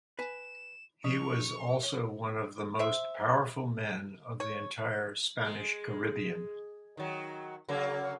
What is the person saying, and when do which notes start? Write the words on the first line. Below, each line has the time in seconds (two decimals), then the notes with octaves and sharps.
He was also one of the most powerful men of the entire Spanish Caribbean.
0.19 B4 G#5 E7
1.04 F3 C#4 C#6 F7
1.83 C#5
2.79 C5 E5
4.40 C#5
5.44 G#3
6.97 D#3 F#3
7.68 C#3 F#3 A#3